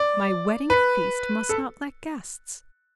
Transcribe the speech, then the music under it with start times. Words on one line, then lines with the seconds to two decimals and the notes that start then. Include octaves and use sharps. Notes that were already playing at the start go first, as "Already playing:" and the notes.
My wedding feast must not lack guests.
Already playing: D5
0.70 B4
1.49 A4